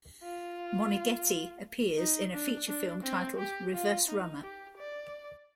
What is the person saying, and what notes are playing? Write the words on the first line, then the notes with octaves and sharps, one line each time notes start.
Moneghetti appears in a feature film titled "Reverse Runner".
F4
D#4
D4
D4
C4
G4
F4
D#4
G4
D5